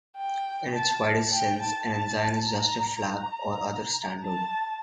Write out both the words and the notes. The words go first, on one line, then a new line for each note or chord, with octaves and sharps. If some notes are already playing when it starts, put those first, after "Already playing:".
In its widest sense, an ensign is just a flag or other standard.
G5
A5
G5
A5
A5
A#5
A#5
A5